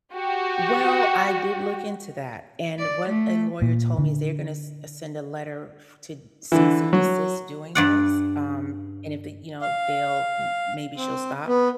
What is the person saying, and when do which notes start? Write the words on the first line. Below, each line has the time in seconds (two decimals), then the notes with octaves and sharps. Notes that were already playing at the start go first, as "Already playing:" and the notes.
Well, I did look into that, and what a lawyer told me is they're gonna s send a letter f to cease and desist doing this. Um, and if they, you know, they'll y maybe she'll stop.
0.14 F#4 G4
2.79 D5
3.09 A3
3.62 A#2
3.98 D3
6.52 D3 E3
6.93 F#3
7.75 G2 D5 F#5
9.62 F5
10.97 C4
11.47 B3